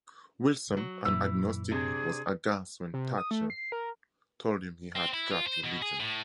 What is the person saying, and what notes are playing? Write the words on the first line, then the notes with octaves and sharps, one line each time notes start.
Wilson, an agnostic, was "aghast" when Thacher told him he had "got religion".
F#3
F#2 A#2 E3 E6
C3 D4 G#4
C3
D#6
A3
C7
A#4
C4
E4
F4
C5
B2
G#4
A2